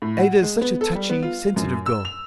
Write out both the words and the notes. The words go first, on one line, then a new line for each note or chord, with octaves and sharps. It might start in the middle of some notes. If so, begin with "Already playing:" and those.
Ada is such a touchy, sensitive girl.
A2
F#5
G#3
B3
A4
G3
B3
F4
F#2
E6
F7